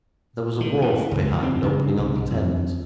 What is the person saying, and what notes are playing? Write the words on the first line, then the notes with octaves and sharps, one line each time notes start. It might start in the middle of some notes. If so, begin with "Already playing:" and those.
There was a wharf behind, opening on the Thames.
D#3
E3
C#2
C4
C#3
C2
B1
F2